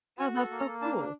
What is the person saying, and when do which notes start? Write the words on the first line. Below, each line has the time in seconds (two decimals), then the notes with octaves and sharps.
Oh, that's so cool.
0.19 F#4 G#5
0.35 A4
0.50 A#3
0.61 A#5
0.66 A#3
0.81 D4 A5
0.98 D4